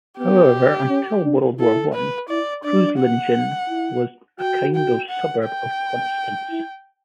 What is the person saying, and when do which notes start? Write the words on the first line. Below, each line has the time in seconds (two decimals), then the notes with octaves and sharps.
However, until World War One, Kreuzlingen was a kind of suburb of Constance.
0.18 B3 G4
0.89 C#4
1.24 D4
1.59 E4 A4
1.94 B4
2.29 E4 D5
2.64 D4 D5
2.99 F#5
3.69 E4
4.40 F#4 G5
4.75 G5
5.10 F#5
5.45 G5
6.50 E4